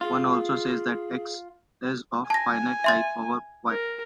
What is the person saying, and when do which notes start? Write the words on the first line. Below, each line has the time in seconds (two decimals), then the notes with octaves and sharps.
One also says that "X" is of finite type over "Y".
0.01 F4 G#4
2.30 G#5 A5 A#6
2.84 E5 C6 A6
3.70 A#4